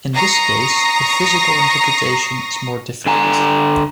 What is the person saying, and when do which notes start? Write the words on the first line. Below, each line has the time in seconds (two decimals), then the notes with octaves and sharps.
In this case, the physical interpretation is more difficult.
0.15 A#5 C#6 D#6 A#6 C7
3.06 D3 G#5 A#5